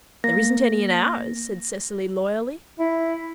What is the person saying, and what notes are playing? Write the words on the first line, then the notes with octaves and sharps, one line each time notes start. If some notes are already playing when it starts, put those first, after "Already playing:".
"There isn't any in ours," said Cecily loyally.
A#3 A#6
E4